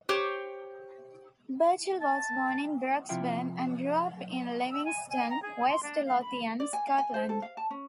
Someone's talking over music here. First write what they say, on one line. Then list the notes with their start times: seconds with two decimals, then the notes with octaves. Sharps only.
Burchill was born in Broxburn and grew up in Livingston, West Lothian, Scotland.
0.09 G4 C5 C#5
2.01 A5
3.09 C3 F3 E4 F4 E5 G5
4.70 E6
4.85 G#5
5.11 G#5
5.29 A#5
5.42 G#4
5.68 C6
5.82 D4
6.05 F5
6.21 B5
6.60 D5
6.73 G#5
6.87 F5
6.98 G#5
7.14 C5
7.29 A4
7.42 F5
7.57 A5
7.70 C#4